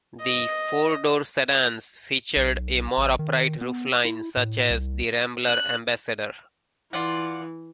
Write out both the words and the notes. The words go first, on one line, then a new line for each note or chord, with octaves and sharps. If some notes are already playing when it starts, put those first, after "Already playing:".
The four-door sedans featured a more upright roofline such as the Rambler Ambassador.
D#5
B1
A1
D#3
B3
E4
A2
C2
F#6
E3 F4 D5 F#5